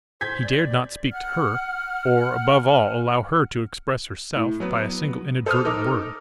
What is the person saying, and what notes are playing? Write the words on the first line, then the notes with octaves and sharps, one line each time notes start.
He dared not speak to her, or, above all, allow her to expose herself by a single inadvertent word.
C5 G6 G#6 B6
D5
F#5 F6
A2
F#3 B3 B4
A4 C5 D#6 F6
D#4 A4 A#4 D6